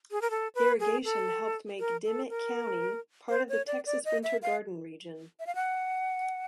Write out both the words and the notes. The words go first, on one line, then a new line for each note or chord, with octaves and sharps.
Irrigation helped make Dimmit County part of the Texas Winter Garden Region.
G#4
A#4
A4
B4
G#4
A4
A#4
A4
A#4
C5
C#5
D5
D5
D#5
E5
F5
E5
F5
F#5